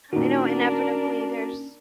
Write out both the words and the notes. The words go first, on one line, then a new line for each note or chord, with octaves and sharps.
I know inevitably there's,
A#2 D#3 C#4 D4 F#4 A#4 D5